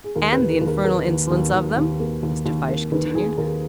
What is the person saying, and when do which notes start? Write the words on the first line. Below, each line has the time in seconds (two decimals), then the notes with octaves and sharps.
"And the infernal insolence of them," Mr. Fyshe continued.
0.04 G#4
0.16 D#2 A#4
0.33 B4
0.39 D#2
0.50 A#4
0.61 D#2
0.67 A#4
0.85 A#3 A#4
1.08 D#2
1.31 D#2
1.53 D#2
1.76 D#2
2.00 A#3
2.23 D#2
2.46 D#2
2.69 A#3
2.92 D#3 B4
3.15 D#3 G#4
3.38 D#2 A#4